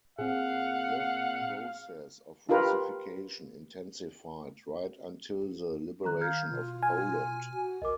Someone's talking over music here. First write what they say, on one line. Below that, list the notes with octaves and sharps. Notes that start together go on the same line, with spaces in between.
The process of Russification intensified right until the liberation of Poland.
A#2 C4 G#4 F5 F#5
D#4 F4 G4 A#4 B4
D#3 A#5 F#6
F5 F6 G6 G#6
B2 F4
G#5 F6
F#4
B1 A#4 D#5 D6